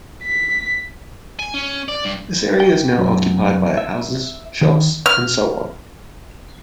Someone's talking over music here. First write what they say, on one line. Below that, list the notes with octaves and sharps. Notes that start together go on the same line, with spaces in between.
This area is now occupied by houses, shops and so on.
B6
G#5
C#4
D5
G2
G5
F#2
E5
D#3
F6